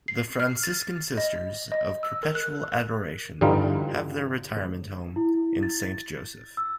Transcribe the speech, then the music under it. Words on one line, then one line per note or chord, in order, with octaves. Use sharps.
The Franciscan Sisters of Perpetual Adoration have their retirement home in Saint Joseph.
C7
F6
A6
D#5
D#5
E6
A#4
F#6
G2 D3 E3 G3 D#4 F4
E4
A6
E6